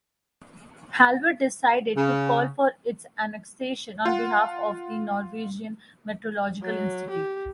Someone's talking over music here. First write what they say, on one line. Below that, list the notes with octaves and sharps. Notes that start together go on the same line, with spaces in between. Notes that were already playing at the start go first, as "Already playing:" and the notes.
Hallvard decided to call for its annexation on behalf of the Norwegian Meteorological Institute.
C#3
F4 F#5
F#3
G4